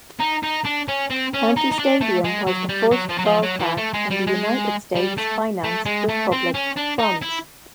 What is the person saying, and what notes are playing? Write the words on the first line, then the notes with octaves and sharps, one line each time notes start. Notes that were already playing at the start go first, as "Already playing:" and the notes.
County Stadium was the first ballpark in the United States financed with public funds.
D#4
D#4
D4
C#4
C4
C#4
D#4
D#4
D4
A3
G#3
F#3
G3
F#3
F3
F#3
F3
F#3
E3
A3
G#3
G3
G#3
G3
A3
A3
G#3
A3
C4
C#4
D4
D#4
E4